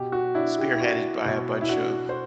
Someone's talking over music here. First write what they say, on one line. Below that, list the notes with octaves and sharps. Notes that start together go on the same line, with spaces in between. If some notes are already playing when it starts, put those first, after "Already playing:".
spearheaded by a bunch of
Already playing: B2 G4
F#4
D4 E4
G4
E4
D4 F#4
B2 F#4
E4
D4 F#4
C5